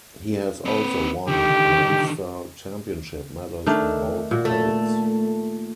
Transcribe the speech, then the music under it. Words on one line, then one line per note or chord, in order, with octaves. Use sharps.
He has also won Leinster Championship medals in both codes.
C4 B4
D3 D#3 G4
D#3 A3 D4
A#2 F#4
A3